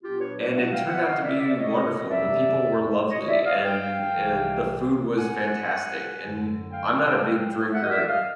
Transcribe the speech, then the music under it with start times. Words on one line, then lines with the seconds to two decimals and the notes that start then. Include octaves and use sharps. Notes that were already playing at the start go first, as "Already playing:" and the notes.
and it turned out to be wonderful, and the people were lovely, and, eh, the food was fantastic, and I'm not a big drinker,
0.03 A#2 F#3 B3 D4 F4 G4
0.20 B4 C#5
0.37 C5 D5
0.54 E5 F#5
0.71 F5 G5
0.88 E5 F#5
1.06 D#5 F5
1.22 D5 E5
1.39 D5 E5
1.57 C#5 D#5
2.08 F2 C3 E3 D5 E5
3.11 C#5 D#5
3.28 D5 E5
3.45 D#5 F5
3.62 F5 G5
4.15 C2 C3 E3
5.16 F#5 G#5
6.19 F#2 D3 F#3
6.70 F5 G5
7.73 E5 F#5
7.83 D#5
7.90 D5 E5
8.07 D#5 F5